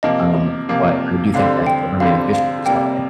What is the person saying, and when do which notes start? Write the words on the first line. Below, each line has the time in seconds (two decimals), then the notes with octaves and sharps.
Um, but I do think that government officials are,
0.03 C3 F3 A#3 D#5
0.69 C3 F3 A#3
1.34 F2 D3 G3 C4 F5
1.67 G5
2.00 F2 D3 G3 C4 F5
2.33 F5
2.65 F2 C3 G3 A#3 G5